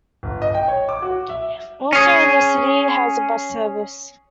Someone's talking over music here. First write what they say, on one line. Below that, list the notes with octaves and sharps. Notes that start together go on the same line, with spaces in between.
Also in the city has a bus service.
G1
D#5
G5
C#5
D6
F#4
E5
C#4 G#4